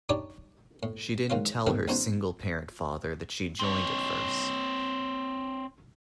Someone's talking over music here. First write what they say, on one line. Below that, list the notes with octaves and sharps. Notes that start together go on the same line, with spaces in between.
She didn't tell her "single parent father" that she joined at first.
D4 D#4 G4 C#5 D5
A2
G#2 D#3 F#3 F4 F5
B1 A2 D#3 F3 G3 D4
A1 E2 D#4 F#4 C5 G#5
C4 C#5